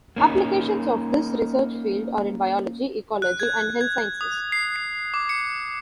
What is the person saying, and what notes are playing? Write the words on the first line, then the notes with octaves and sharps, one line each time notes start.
Applications of this research field are in biology, ecology and health sciences.
A#3 C#4 D#4
F#6
G#6
G#6
D#6
C7
C7
D6
C#7